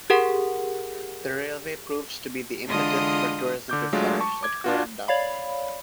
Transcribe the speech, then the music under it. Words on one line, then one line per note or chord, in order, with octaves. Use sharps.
The railway proved to be the impetus for tourism to flourish at Kuranda.
G4 G#4 A#4 F#5
D3 E3 G#3 F4 D#5 D#6
D3 D6 G6
F#3 G#3 A3 D4 F4
A5 C#6
D6 G#6
D4 F4 F#4
C#5 D5 F5 B5